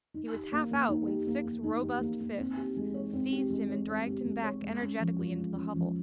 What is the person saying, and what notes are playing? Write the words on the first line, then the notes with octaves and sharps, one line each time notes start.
He was half out when six robust fists seized him and dragged him back energetically into the hovel.
D#4
G4
A#3
A#3
D#4
G4
A#3
A#3
D#4
G4
A#3
A#3
C4
G4
G#3
C#5
C4
G4
G#3
C#5
C4
G4
G#3
C#5
G#3
C#4
F3
F4
G#3
C#4
F3